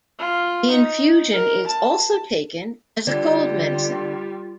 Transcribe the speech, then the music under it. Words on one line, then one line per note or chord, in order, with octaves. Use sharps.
The infusion is also taken as a cold medicine.
F4
D#4
A#4
A5
D3 G3 F4 D5